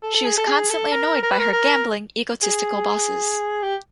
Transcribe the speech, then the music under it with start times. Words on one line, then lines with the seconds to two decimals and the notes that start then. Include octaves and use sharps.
She is constantly annoyed by her gambling, egotistical bosses.
0.03 A4
0.14 A4
0.25 G#4
0.38 A4
0.47 G#4
0.70 A4
0.92 A#4
1.23 A#4
1.31 B4
1.38 A#4
1.53 A#4
2.43 G#4
3.62 G4